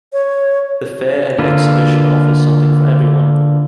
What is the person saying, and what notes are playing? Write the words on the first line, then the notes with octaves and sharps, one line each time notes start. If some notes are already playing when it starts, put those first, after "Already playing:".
The Fair and Exhibition offers something for everyone.
C#5
D3 A#3 F4 B4